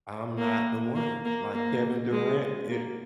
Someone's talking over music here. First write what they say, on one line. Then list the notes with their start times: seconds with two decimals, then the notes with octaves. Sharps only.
I'm not the one." Like, Kevin Durant, it
0.38 A#3
0.95 A#3
1.25 A#3
1.54 A#3
2.11 G#3
2.70 A#3